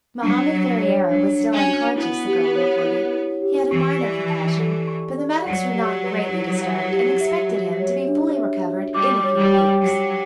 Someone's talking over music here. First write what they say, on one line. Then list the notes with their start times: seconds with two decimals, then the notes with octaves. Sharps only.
Mohammed Ferriera was still unconscious, the girl reported; he had a minor concussion, but the medics were not greatly disturbed, and expected him to be fully recovered in a few weeks.
0.22 F#3 D4
0.52 F#4
0.81 C#5
1.09 F#3 D4
1.39 D4
1.53 C#4
1.68 F#4
1.96 B3 E4
2.26 G4
2.55 C#5
2.84 E4
3.13 E4
3.42 G4
3.71 E3 C#6
4.00 D5
4.30 A5
4.59 A4
4.87 C#6
5.17 D5
5.46 F#3 F#5
5.75 G4
6.03 B4
6.33 E4
6.62 F#5
6.91 G4
7.21 E5
7.49 F#4
7.78 C#5
8.07 D4
8.36 E5
8.65 F#4
8.94 G3 D6
9.23 C#5
9.38 G3
9.53 G5
9.82 F#3 G4